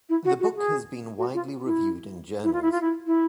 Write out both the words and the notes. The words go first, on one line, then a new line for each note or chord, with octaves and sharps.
The book has been widely reviewed in journals.
E4
F#4
F#4
G#4
F#4
F4
E4
E4
F4
E4
F4
E4
E4